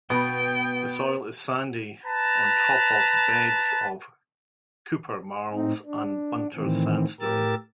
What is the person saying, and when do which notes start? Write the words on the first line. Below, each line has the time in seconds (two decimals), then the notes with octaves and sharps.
The soil is sandy on top of beds of Keuper Marls and Bunter Sandstone.
0.10 B2 B3 G5
2.06 B4 A5 A#5
5.52 A2 C4 D#4
5.85 D4
6.54 A2 D#3 E3 C4
7.21 A2 G4 A#4 E6 A6